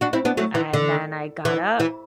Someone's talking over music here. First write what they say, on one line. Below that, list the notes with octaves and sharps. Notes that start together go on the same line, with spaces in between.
And then I got up,
D4 F#4
C4 E4
B3 D4
F#3 A3
E3
D3
E3
E3